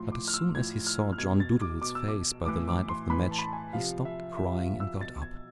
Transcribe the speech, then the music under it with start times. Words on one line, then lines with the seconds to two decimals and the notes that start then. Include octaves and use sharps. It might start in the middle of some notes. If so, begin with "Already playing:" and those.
But as soon as he saw John Dolittle's face by the light of the match, he stopped crying and got up.
Already playing: A2 F3 C6
0.12 D6
0.28 F6
0.34 E6
0.55 A2 F3 G#6
0.87 F6
1.12 F6
1.18 B2 G#6
1.40 A6
1.61 D6
1.82 B2 D6
1.95 E6
2.08 D6
2.45 A2 E3 D6
2.68 D6
2.89 C6
3.09 A2 E3 B5
3.31 A5
3.39 B5
3.45 A5
3.53 G#5
3.73 C3 F3 F5
4.05 E5
4.37 C3 F3 E5
4.58 F5
4.80 E6
5.01 B2 A6
5.22 G#6